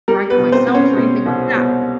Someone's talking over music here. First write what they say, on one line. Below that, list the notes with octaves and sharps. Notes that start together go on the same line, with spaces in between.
bragging on myself or anything like that,
G3 A#4
B3 B4
B2
C4 C5
C4
C#4 C#5
B2
C2
B2